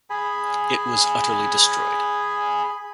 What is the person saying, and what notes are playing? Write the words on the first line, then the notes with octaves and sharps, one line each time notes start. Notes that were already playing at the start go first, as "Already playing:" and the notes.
It was utterly destroyed.
G#4 G#5 B5